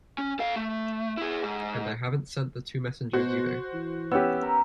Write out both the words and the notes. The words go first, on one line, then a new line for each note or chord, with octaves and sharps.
And I haven’t sent the two messengers, either.
C#4
A4 F5
A3
E4 G#4
G#2
B2 F#4 C5
E3
B3 C#4 G4 E6
A#4